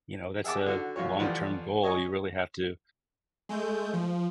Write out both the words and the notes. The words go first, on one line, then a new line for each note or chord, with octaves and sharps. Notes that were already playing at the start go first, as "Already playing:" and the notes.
you know, that's a long-term goal. You really have to
G#4 E5 F#5 A5 D6
D3 F#4
A#1 F4 F#4 C#5
A1 F3 G3 B4 F#5
C#5 D#5 G#5 C#6
G#3 A3 G6
F3